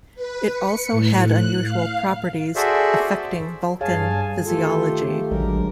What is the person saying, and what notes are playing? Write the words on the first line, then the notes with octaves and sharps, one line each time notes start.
It also had unusual properties affecting Vulcan physiology.
B4
C#7
A2
F#6
F5
F#4 G#4 A4 C5 D5 E5
G2 G#4 C#5 F5 G#5 A5
D#3 A3 F4 G4 A4
A1 D3 F#3 G#3 A#4